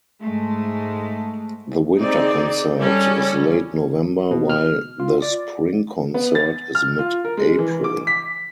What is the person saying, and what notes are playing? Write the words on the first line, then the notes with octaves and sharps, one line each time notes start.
The winter concert is late November, while the spring concert is mid-April.
G#2 G#3 A3
C4 D#4 G#4 D5
G3 C#4 A4
B2
F6
F4
D5
B3
A6
F6
F4
A#4
G#3
E3
D6
B6